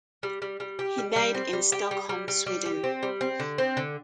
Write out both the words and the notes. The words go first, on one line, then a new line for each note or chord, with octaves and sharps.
He died in Stockholm, Sweden.
G3
G3
G3
G4
G3
G3
C4
G3
G4
G3
G3
G3
G3
G4
C4
G3
C4
D3
C4
D3